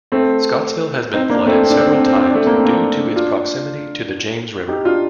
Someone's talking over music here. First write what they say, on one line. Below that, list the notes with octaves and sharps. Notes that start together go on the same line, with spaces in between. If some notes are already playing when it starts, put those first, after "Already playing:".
Scottsville has been flooded several times due to its proximity to the James River.
A3 C4
C4 D#4
A#3 D4
A3 C4
C4
D4
C4
D4
C4
D4
C4
D4
C4
D4
A3 C4
A#3
C4
A#3 D4
D4 F4
D#4 G4
D4 F4